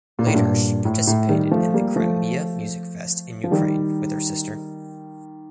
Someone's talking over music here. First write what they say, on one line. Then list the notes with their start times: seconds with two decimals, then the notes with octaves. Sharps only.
Later she participated in the Crimea Music Fest in Ukraine with her sister.
0.19 A#2
0.26 A2
0.34 G2 A#2
0.85 A2
1.07 A2
1.29 D#3 G3
1.51 F3 A3
1.74 G3 A#3
1.96 F3 A3
3.44 F3
3.51 D#3 G3